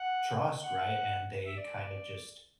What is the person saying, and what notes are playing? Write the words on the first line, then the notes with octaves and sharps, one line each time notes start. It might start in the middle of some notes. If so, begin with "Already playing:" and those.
trust, right, and they kind of just
Already playing: F#5
F#5
E5
D5